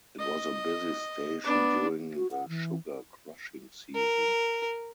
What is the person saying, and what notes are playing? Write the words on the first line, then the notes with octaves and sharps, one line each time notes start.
It was a busy station during the sugar crushing season.
D#5
B3 D4
F#4
F#5
E3
A#4